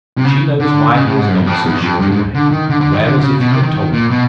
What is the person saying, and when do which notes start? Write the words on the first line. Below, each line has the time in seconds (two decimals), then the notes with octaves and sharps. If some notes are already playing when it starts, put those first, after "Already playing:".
She knows why he has gone so short away,--well as if he had told her.
0.18 C3
0.25 C#3
0.60 D3
0.94 C#3
1.06 A2
1.17 G#2
1.29 F#2
1.42 E2
1.47 F2
1.64 E2
1.82 F2
1.99 G2
2.11 G#2
2.34 D3
2.52 D#3
2.69 D3
2.81 D3
2.92 D#3
3.05 D3
3.18 D3
3.22 C#3
3.40 B2
3.51 C3
3.63 D#3
3.75 D#3
3.92 A#2
4.10 B2